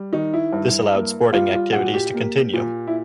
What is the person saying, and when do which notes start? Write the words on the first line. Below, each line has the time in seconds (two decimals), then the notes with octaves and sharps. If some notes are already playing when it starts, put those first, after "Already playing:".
This allowed sporting activities to continue.
Already playing: G3
0.12 D#3 D#4
0.34 E4
0.52 G2
0.94 A#3
1.33 G3 F4
1.54 F4
1.73 A#2 F#4
1.94 G4
2.14 A#3
2.53 A#2
2.87 E4